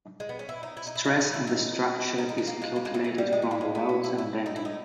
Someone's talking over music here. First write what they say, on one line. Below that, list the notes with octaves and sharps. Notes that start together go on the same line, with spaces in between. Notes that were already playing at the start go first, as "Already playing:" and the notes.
Stress in the structure is calculated from the loads and bending.
G#3
B3
C#4
E4
D#4
E4
D#4
E4
D#4
C#4
E4
D#4
D#4
D#4
C#4
A#3
G#3
A#3
G#3
E3
E3
G3
G#3
B3
A#3
G#3
B3
C#4
E4
E4
D#4
E4
D#4